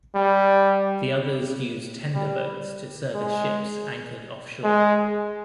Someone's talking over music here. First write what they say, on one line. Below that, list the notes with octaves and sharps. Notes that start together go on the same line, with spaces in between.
The others use tender boats to service ships anchored off shore.
G3
G3
G#3
G#3